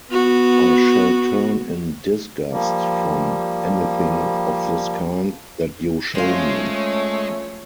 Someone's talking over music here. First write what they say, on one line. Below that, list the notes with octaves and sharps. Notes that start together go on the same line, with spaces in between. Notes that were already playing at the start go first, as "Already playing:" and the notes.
I shall turn in disgust from anything of this kind that you show me.
B3 F#4
F3 G3 A#3
G#3 A3 C#4 F4 C5 C#5